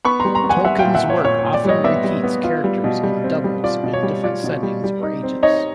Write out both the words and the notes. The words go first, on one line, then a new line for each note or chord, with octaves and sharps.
Tolkien's work often repeats characters in "doubles" in different settings or ages.
B3 B5 C#6
G3 A#5 C6
A#5 C6
B3
F#5 G#5
G3 E5 F#5
F5 G5
A#2
E5 F#5
A#2
C#5
A#2 C#5
C#5
A#2
D5
G3 C#5 D#5
B3 D5 E5
G3
B3
F4
G3
B2
G3
C4
G3
F4 D5
B2
C#5
G3
F4 D5
B2
G3
G3
D#4
C4
D#4 C#5 D#5